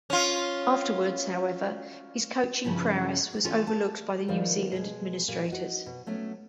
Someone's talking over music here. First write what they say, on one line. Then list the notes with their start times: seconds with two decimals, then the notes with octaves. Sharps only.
Afterwards, however, his coaching prowess was overlooked by the New Zealand administrators.
0.10 C#4 F4
2.64 G2 C#3 F3 C#4 E4
3.44 E2 C#4 F4 A4 G#5
3.67 A5
4.28 D#3 F3 B3 D#4 A#4 D5
4.72 B2 G#3
5.28 A#2 G3
5.48 D#4 F#4
5.86 B2
6.07 F#3 A3 B3 C#4